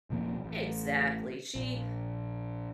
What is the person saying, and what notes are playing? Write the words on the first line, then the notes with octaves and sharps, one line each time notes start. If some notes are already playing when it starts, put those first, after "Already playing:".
Exactly. She,
D#1 C3 F3 A#3
A1
A#1